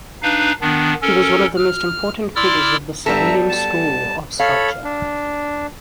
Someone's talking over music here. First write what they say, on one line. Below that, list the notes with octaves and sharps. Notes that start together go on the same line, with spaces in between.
He was one of the most important figures of the Sevillian school of sculpture.
D4 D#4 B4 F5
D#3 B3 D4
C#4 A4 A#4
F6
E4 D5 C6 D6 E6 F6
G2 G3 B3 A4 E5 A#5
A5
A4 C#5 F5 B5
D4